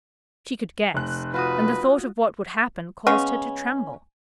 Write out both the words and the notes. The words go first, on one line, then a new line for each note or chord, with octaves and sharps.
She could guess, and the thought of what would happen caused her to tremble.
F1 F#6
F4 F#4 B4 D#6
C#3 G#3 B3 C#4